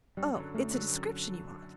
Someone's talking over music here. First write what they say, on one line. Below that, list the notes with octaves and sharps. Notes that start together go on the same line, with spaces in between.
"Oh, it's a description you want?"
F#2 G3
D3 F#3
F#2 A3
D3 F#3
F#2